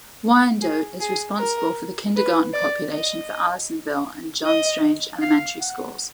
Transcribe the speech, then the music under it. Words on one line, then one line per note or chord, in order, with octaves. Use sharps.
Wyandotte is responsible for the kindergarten population for Allisonville and John Strange elementary schools.
G#4
G#4
A#4
B4
D5
D#5
D#5
F5
F#5